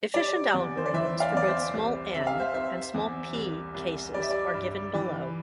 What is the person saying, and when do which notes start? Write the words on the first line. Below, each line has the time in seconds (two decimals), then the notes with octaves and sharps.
Efficient algorithms for both small "N" and small "P" cases are given below.
0.14 G3 D5
0.54 E2
0.77 C5
0.86 D5
0.94 E3 C5 E5
1.20 D5 F5
1.34 E2 D5
1.47 C5 E5
1.74 C2
2.14 C3 E5
2.27 F5
2.39 C5 E5
2.54 C3 C5 E5
2.94 E2
3.34 C2
3.74 C2
4.14 G3 D5
4.22 E5
4.30 D5
4.54 G2
4.94 E3